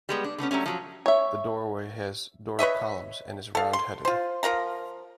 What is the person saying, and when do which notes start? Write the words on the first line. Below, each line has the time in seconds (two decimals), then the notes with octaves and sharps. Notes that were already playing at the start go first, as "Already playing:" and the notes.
The doorway has Doric columns and is round-headed.
0.09 G3 G#3 B3
0.24 D4
0.38 D3 A3 B3 C#4
0.51 F#3 G3 A3 C#4
0.66 F3 F#3
1.06 C#5 E5
2.59 B4 C#5 D#5 E5
3.55 A4 F5
3.73 C6
4.05 F4 C5
4.43 F3 A#4 F5 A#5